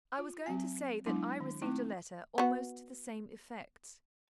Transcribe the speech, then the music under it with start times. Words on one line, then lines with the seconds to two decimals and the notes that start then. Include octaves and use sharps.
"I was going to say that I received a letter almost to the same effect."
0.18 F4
0.46 F#3 C4 G#5
1.06 F#3 G#3 B3 D4 E4
1.41 D#3
1.62 A3 C4 D#4 E4
2.38 B3 F#4